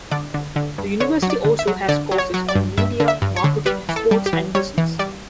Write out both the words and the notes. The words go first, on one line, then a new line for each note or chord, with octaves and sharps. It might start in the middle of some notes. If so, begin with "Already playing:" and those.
The university also has courses on media, marketing, sports and business.
D3 D5
D3
D3
G2
D3 C#5
F#3
D5
D3
E5
F#3
D3 D5
F#3
C#5
F#3
D5
G2
G2 E5
D3
E5
G2
C#5
D3
G3 B4
E3
A4
G3
G4
E3
G3 C#5
E3
G3 D5